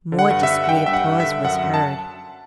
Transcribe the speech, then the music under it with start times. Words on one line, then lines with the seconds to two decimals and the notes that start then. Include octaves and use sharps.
More discreet applause was heard.
0.12 D3
0.19 F#5
0.30 G2
0.43 E5
0.50 G2
0.64 F#5
0.69 G2 G5
0.86 G2 E5
0.93 F#5
1.07 G2
1.20 E5
1.26 D3
1.44 F#2 F#5
1.64 F#2
1.74 A5